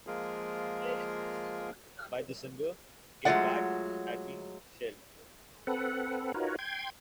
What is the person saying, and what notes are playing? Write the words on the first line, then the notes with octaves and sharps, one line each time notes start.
By December, "Get Back" had been shelved.
F3 G#3 A#3 F4 G#4 A#4
F#3 G#3 A3 F4 D5 F#5
C4 A4 B4 F#5
D#4 F4 F#4 A#4 B4 C#5
G5 C6 G#6